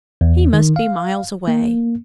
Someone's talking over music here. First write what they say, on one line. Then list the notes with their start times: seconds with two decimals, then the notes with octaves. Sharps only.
He must be miles away.
0.21 E2
0.53 D#3
0.76 F5
1.48 A#3